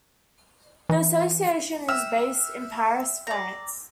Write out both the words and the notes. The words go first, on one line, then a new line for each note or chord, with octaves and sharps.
The association is based in Paris, France.
E3
E5 G5 E6 F6
D5 A#5